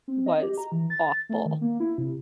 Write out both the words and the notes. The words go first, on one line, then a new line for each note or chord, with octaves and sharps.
was awful,"
C4
D#5
G4
A#5
E3
A6
A3
D#3
A#3
E4
C3